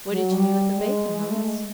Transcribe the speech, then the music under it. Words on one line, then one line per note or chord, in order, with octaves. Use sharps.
'What did you do with the bacon, Hans?'
F#3
G3
G#3
G#3
A3
G#3